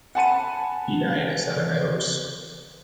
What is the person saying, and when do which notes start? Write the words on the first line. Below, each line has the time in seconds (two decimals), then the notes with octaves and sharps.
He died at Sevenoaks.
0.15 F#5 G#5 A5 B5 C#7 D#7